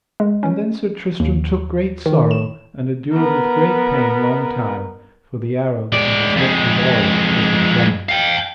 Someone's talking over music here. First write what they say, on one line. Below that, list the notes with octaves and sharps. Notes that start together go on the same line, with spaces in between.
And then Sir Tristram took great sorrow, and endured with great pain long time, for the arrow that he was hurt withal was envenomed.
G#3
C#4
D#2
D#3
E7
B3 A#4
G#3 D5
F2 G#3
F5 G5